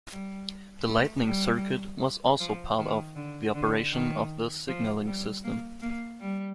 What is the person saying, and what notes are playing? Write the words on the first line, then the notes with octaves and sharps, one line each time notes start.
The lighting circuit was also part of the operation of the signalling system.
G3
A3
G3
F3
D#3
D3
D3
D#3
F3
G3
A#3
A#3
G3